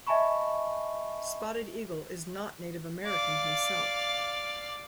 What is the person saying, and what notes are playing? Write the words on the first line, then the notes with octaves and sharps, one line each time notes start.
Spotted Eagle is not Native American himself.
D#5 E5 G#5 A5 B5 C#6
D5 F5